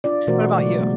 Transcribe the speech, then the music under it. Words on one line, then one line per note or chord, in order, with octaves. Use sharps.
what about you?
D4 F4 D5
B2 E3 A3 F#4 A#4 C5
C#3 F#3 G#3 D5
G#3 A#3